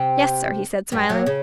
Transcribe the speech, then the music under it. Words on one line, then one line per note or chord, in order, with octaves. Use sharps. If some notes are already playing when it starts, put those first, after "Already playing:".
"Yes, sir," he said smiling.
Already playing: C3 C4
G2 G3
F#2 F#3
C#3